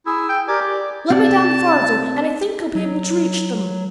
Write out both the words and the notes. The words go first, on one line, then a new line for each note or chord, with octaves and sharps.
"Let me down farther and I think I'll be able to reach them!"
E4 G#4 E6
G5
G4 A#4 D5 G#5
D5
C3 C4 D5 A5
F#3